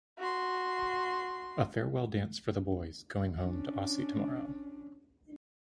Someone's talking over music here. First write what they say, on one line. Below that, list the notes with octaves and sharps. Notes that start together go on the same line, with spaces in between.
A farewell dance for the boys going home to Aussie tomorrow.
F#4 C6
C#4 D4